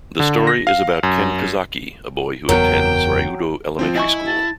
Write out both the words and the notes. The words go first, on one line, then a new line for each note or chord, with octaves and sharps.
The story is about Ken Kazaki, a boy who attends Ryudo Elementary School.
D3
A#6
F5
F#2
F#1 E2 F#3 B3 A#4 G5
F3 C4
E4 D#5 G#5 C#6
A5